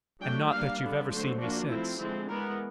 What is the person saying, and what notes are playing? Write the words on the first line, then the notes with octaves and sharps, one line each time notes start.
"And not that you've ever seen me since?"
F#3 A3 D4 G5
G3 A#3 D4 F5
D3 G3 B3 D4
D3 F#3 A3 C5
F3 A#3 D4 F#4
F3 A3 C4 E4
D3 F3 G#3 C4 E4
E3 G#3 B3 A#4